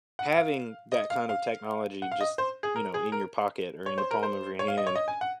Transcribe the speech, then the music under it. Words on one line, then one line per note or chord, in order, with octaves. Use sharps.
having that kind of technology just, you know, in your pocket or in the palm of your hand
F#5
F5
D#5
F5
F5
F#5
F5
D#5
C5
G#4
A#4
G#4
A#4
C#5
C5
A#4
C5
C#5
F5
D#5
C#5
D#5
G#5
F#5